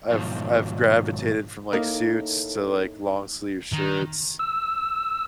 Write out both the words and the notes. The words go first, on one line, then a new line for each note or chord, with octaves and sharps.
I've I've gravitated from, like, suits to, like, long sleeve shirts,
G#2 B2 D#3 F3 F#3
A2 A#3 D#4
D#3
E6